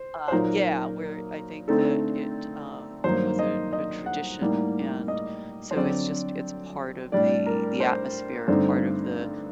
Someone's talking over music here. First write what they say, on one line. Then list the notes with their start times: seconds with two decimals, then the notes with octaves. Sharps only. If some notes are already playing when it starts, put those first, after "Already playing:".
uh, yeah, where I think that it, um, was a a tradition, and, so, it's just it's part of the the atmosphere, part of the
Already playing: C5
0.28 C5
0.32 A#2 F#3 A#3 D#4 A#4
1.68 D3 A3 C4 D#4 A4
3.04 G2 D#3 F#3 A#3 D#4 C5
3.39 D#5
3.73 D#5
4.06 F#5
4.41 A2 G3 A#3 D#4
5.08 D#5
5.71 C5
5.76 D3 F#3 C4 D5
7.12 A2 G3 D4 D5
7.46 A#4
7.80 C5
8.48 G2 D3 A3 C4 D#4 C5